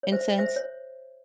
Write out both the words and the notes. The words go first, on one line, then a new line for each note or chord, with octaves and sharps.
in sense?
C#5
C5 E5
C5 E5
C#5